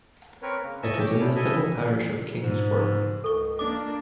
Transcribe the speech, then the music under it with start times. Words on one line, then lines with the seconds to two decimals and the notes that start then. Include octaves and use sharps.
It is in the civil parish of Kings Worthy.
0.42 C4 A#4 B4 C#5
0.63 C#3 A#3
0.83 D#5 E5 G#5 A5 C#6
0.99 C#5 G5 D6
1.19 B3 C#4 D4 E4 A4
1.36 E4 A4 D#5 E5 G#5
2.39 G#2
3.24 C#2 A4 C#6
3.59 A#3 D4 D6